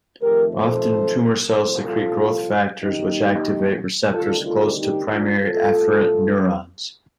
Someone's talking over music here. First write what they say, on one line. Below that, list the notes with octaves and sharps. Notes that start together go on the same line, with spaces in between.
Often tumor cells secrete growth factors which activate receptors close to primary afferent neurons.
F2 D#3 A3 G4 A#4
A4 C5
C2 A#2 F3 A4 C5
F4 A4
D#2 D#3 A#3 D#4 G4
D2 C3 D#3 G3 F4 A4
F4 A4
D#4 G4
D4 F4
C2 A#2 A3 C4 F4 A4